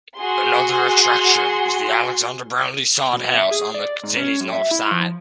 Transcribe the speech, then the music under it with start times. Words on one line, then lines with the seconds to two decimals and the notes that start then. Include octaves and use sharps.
Another attraction is the Alexander Brownlie Sod House, on the city's north side.
0.17 F#4 G#4 C6
3.13 B2
3.34 E5
3.51 G#4
3.74 D5
4.03 G#2
4.16 C#4
4.41 F#2
4.53 E5
4.71 E4
4.91 F3